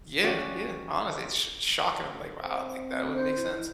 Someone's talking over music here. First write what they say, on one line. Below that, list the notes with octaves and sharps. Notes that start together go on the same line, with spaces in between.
Yeah, yeah, honestly, it's sh shocking. I'm like, "Wow, like, that would make sense."
C#4 F#4 G4 D5
C4
C5
E4